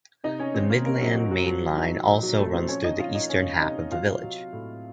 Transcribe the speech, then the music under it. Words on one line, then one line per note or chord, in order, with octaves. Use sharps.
The Midland Main Line also runs through the eastern half of the village.
C3 D#4 D#5
C#4 C#5
D#3 C4 C5
A#3 A#4
C3 A#3 A#4
F#3 F#4
F#3 F#4
F#3 F#4
F3 F#3 F#4
F3 D#4
A#2 D#4
F#3 F#4
A#2 A3 A4
C4 C5
F3 C#4 C#5
D#4 D#5
F3 F4 F5
D#4 D#5
C3 C#4 C#5
C3 D#4 D#5
F#3 F4 F5
F#3
A2